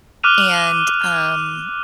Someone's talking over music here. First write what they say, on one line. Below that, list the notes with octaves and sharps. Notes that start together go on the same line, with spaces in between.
and, um,
D6 F6 F#6 D#7 F7